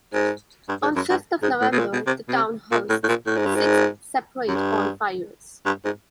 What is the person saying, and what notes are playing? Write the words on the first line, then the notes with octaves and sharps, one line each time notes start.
On Fifth of November, the town hosts six separate bonfires.
G#2
G2
G#2
F#2
G2
G#2
A2
B2
A#2
B2
C3
B2
C3
A#2
A2
A2
A#2
A2
G#2
G2
G#2
F#2
G2
G2
G#2